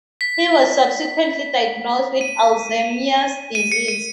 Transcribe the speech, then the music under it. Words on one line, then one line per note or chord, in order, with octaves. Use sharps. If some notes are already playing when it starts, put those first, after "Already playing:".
He was subsequently diagnosed with Alzheimer's disease.
B6
D#7
D#7
C#7
D#7